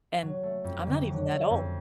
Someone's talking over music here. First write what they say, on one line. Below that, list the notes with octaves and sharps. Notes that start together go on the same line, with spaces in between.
and I'm not even that old.
F#3
A3
F2
D3
F#3
A3
F2